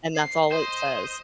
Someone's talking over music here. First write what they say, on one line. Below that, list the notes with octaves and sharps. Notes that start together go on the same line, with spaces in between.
and that's all it says.
C7
C5 D#5